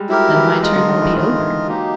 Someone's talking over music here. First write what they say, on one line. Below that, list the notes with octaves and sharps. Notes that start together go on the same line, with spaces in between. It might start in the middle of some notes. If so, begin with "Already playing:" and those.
Then my turn will be over.
Already playing: G3 G#3
F#3 E4 G4 A#4
E3
G#3 F4 A#4 D#5
D3
D#3
E3
D#3 F4 A#4 D#5
E3
F#3 A#3 D#4 G4